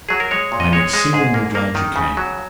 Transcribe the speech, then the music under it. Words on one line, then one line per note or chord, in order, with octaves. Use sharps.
I am exceedingly glad you came.
F#3 G#4
A#4
G#3 C#5
A#2
D#5
G#3 C#5
G#3
G#2 G#4
A#3
A#3
D#3
C#3
F#3